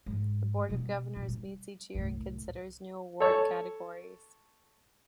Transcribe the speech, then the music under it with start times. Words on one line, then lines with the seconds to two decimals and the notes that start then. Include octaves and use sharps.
The Board of Governors meets each year and considers new award categories.
0.06 G#2
0.69 B2 G3
1.16 A#2
1.28 G3
1.95 C2 A2
3.20 A4 C#5